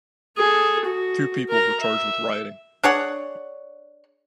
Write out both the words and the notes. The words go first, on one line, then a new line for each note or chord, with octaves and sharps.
Two people were charged with rioting.
G#4 A4
F#4
A#4 A#5
E5
D4 G#4 C#5 F#5